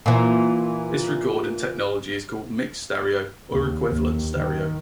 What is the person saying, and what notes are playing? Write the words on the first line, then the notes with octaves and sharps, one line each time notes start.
This recording technology is called mixed stereo or equivalence stereo.
A#2 E3
D#2
D#2
D#3